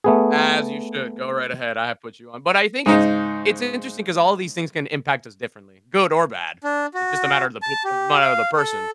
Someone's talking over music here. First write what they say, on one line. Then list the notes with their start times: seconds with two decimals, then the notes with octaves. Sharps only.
As you should. Go right ahead. I have put you on. But I think it's it's interesting 'cause all these things can impact us differently, good or bad. It's just a matter of the peop a matter of the person.
0.04 A3 B3 G#4
2.86 G#2 C#3 D#4
6.64 D4
6.94 F#4
7.62 A5
7.84 G4
8.22 F5
8.57 A4